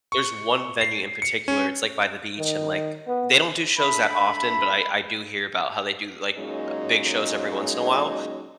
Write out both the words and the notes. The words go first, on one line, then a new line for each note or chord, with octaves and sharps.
there's one venue in particular, it's, like, by the beach, and, like, they don't do shows that often, but I I do hear about how they do, like, uh big shows every once in a while.
C#6
C7
C#7
C#4
D#3
B3
D4 A4 E5 B5
A#2 F#3 G#3 C#4 D#4 G#4